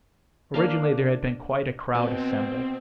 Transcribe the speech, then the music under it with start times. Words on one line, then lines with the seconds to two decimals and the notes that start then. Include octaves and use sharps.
Originally there had been quite a crowd assembled.
0.54 A#3 D4 F5
1.94 B2 C4